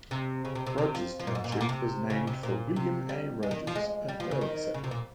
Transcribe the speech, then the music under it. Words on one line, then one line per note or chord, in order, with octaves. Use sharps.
Rogers Township was named for William A. Rogers, an early settler.
C3
C#3
C3
C3
C3
F3
F3
A#2
G#2
A#2
G#2
A#2
C3
C#3
C3
A#2
C3
G3
G#3
D#3
F3
G#3
G3
F3
C#3
D#3
C#3
C3
A#2